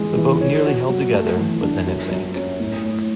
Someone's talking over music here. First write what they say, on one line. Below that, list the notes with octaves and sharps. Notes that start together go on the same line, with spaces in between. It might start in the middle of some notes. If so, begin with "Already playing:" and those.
The boat nearly held together, but then it sank.
Already playing: E3 G#3
E3
C#5
F#4
F#3
A3
E3
D4
F#2
F#2
C#4
A2
A2